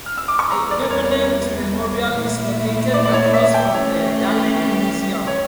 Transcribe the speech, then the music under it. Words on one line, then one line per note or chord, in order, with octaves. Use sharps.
A permanent memorial is located across from the Dali Museum.
F6
E6
D6
C#6
E2 E3 G3 A#5
D5
A#4
C#5
C#5
A#2 A3 E4
D5
D5
C#5
E5
G5
E3 A3 C#4 G4 C#5
C#5